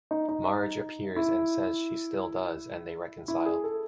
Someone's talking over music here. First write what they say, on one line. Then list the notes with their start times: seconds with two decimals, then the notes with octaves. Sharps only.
Marge appears and says she still does and they reconcile.
0.11 D#4
0.29 D#4
1.16 E4
3.28 E4
3.46 G#4
3.64 A4